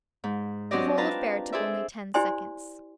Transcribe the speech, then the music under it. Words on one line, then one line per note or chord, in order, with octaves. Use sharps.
The whole affair took only ten seconds.
G#2
F#3 C4 D4 G4 D5 D#5
F4 B4 A5 A#5
G#4 A4 C5 D5 E5
E4 G4 C5 D5 G#5 C6